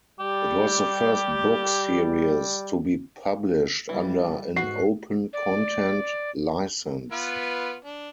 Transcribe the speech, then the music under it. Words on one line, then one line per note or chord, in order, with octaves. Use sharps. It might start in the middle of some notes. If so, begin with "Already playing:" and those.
It was the first book series to be published under an open content license.
G3 G4
E3 G3
G#2 F#4 C7
D5
B3 F4 B4
D4